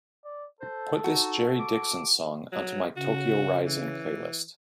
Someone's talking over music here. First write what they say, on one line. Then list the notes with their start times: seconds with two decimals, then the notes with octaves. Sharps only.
Put this Jerry Dixon song onto my Tokyo Rising playlist.
0.25 D5
0.60 A4 C5
1.04 D#4 F#4
1.59 D6
2.53 F#3
2.96 C#3 F#4
3.66 E3